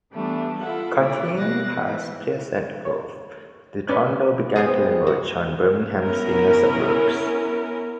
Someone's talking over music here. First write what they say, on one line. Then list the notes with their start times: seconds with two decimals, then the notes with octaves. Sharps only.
Continuing past Pleasant Grove, the tornado began to encroach on Birmingham's inner suburbs.
0.13 E3 G3 A3 B3 D4
0.62 E4 F4 A4 E5 F#5
0.97 A#2 E4 C#5 D5
1.37 B2 G3 F#6 A6 A#6
1.75 E3
2.85 C#5
3.89 C#4 B4 D5
4.56 B3 C4 G#4
5.07 F#4
6.00 B3 C#4 E4 A#4